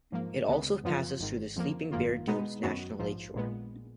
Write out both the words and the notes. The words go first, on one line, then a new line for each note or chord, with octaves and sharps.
It also passes through the Sleeping Bear Dunes National Lakeshore.
G#2 F3 A#3
C#2 C#3 G#3 B3
F#2 F3 B3 F4
G#1 G#2 D#3
F2 F3 A#3
G#1 F#2 D#3 A#3 F4
B2 G#3 B3 D#4
F#2 D#3 F#3 B3 F#4
A#1 G#2 F3
A#1 A#2 G#3 B3